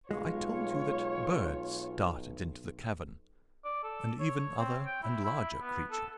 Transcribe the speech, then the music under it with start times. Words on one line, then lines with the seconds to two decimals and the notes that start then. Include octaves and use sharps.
I told you that birds darted into the cavern, and even other and larger creatures.
0.11 B1 G#3 F4 C#5
3.64 D5
3.83 A4
4.20 C#5
4.59 C4
4.86 G5
5.03 E4
5.24 E4
5.61 B3
5.91 A4